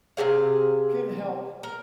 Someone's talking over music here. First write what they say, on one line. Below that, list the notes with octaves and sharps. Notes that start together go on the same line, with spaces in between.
can help.
C3 G4 G#4 F5
A#4